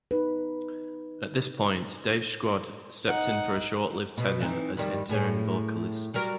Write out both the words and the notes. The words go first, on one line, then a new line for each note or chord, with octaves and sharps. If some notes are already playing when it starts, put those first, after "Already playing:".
At this point, Dave Scrod stepped in for a short-lived tenure as interim vocalist.
D#4 B4
D#4 F#5
B2
E3 C4 D#4
F2 D#3 G3
A2 G#4 C#5
F#3 G3 A#4